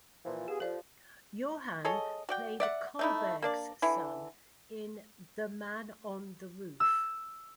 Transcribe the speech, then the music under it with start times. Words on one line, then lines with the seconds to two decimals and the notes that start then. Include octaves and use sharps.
Johan played Kollberg's son in "The Man on the Roof".
0.25 A#2 E3 F3
0.48 B3 F4 G4 G#4
0.60 F3 A4 D5
1.85 G#4 A4 C#5 D#5
2.29 F#4 D5 G5
2.60 D5 E5 F#5
2.99 A3 D#4 E4
3.42 A#3 D4 D5
3.82 D3 E3 E4
6.80 E6